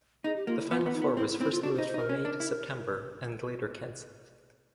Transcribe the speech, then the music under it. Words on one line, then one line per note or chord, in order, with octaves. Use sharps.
The final four was first moved from May to September and later cancelled.
D#4 G#4
G4
A#3 F4
E4
B3 F4
B3
D#4
B3
C4 E4
E4
C4 E4
F4
D4 F#4
C5
D#4
C5
D#4
A#4
C#4
D4
E4